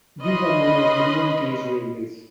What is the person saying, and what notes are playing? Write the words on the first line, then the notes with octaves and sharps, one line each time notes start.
These are known as minimum gauge railways.
C#4 B4 D#5 B5 C6